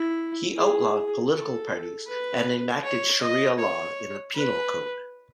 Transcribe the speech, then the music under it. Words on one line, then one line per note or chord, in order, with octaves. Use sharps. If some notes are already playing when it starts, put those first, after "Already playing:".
He outlawed political parties and enacted Sharia law in the penal code.
Already playing: E4
G#4
A4
B4
C#5
D#5
C#5
B4